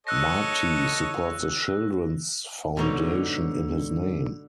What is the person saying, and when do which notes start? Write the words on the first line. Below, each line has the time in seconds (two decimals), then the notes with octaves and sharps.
Marte supports a children's foundation in his name.
0.07 A4 C#5 D#5 E6 F#6 A#6
2.77 G#2 B2 D3 D#4 C#5